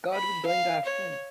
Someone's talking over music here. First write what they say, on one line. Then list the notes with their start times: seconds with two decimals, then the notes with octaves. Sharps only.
God we're going to have fun.
0.14 B5
0.47 F5
0.85 C#5